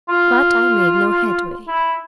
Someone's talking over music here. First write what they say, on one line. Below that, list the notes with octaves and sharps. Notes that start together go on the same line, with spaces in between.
But I made no headway.
F4
E4